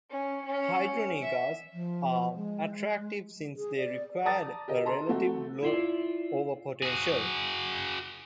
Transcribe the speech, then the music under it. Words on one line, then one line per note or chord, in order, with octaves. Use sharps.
Hydrogenases are attractive since they require a relatively low overpotential.
C#4
C#4
E5
F3
G#3
G#4
D5
D5 A5 A#5 D#6 A6
G4 A#4 D#5
A4 A#5 C6
A3 C4 F#4
E4 F4 D5
F#4 G#4